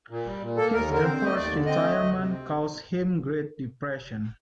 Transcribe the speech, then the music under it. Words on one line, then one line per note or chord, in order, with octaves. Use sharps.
His enforced retirement caused him great depression.
A#2
G3
A#2
A#3 A4
D#2 A#4
D3
A#4
C4 C5
A3 D#5
D#2 D5
D3
C4 D#5
A3
D2
C3
C4